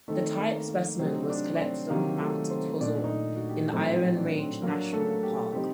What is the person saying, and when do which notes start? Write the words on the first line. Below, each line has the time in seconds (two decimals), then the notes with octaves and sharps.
The type specimen was collected on Mount Tozer in the Iron Range National Park.
0.08 D#3 A3 C4 D#4 A4
0.38 A#3 A#4
0.68 A#3 A#4
0.99 C3 F#3 A3 C4 D#4 C5
1.30 D4 D5
1.55 D5
1.60 C4 C5
1.90 C3 D#3 F#3 A#3 C4 A#4
2.20 A3 A4
2.50 C4 C5
2.81 A#2 A3 D4 D#4 D5
3.04 D#4 D#5
3.36 F#4
3.49 G4
3.72 A2 F#3 A3 C4 D#4 A4
3.94 C4 C5
4.17 D4 D5
4.39 C4 C5
4.62 F#3 A#3 D4 A#4
4.92 A3 A4
5.23 G4
5.53 C3 G3 C4 D#4 G4